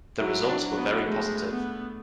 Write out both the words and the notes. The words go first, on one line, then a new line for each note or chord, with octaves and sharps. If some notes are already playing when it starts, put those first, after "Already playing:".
The results were very positive.
F#3 E4
D4
F#3
B3
G#3 A3
B3